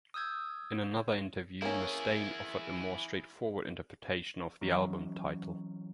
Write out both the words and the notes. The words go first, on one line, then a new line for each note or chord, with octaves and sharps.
In another interview, Mustaine offered a more straightforward interpretation of the album title.
D#6 E6 G6 G#6
A#3 C#4 E4 G#4
E3 F#3 C#4